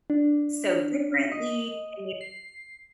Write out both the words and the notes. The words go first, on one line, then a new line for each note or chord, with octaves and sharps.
so differently," and you
D4
D#5
C7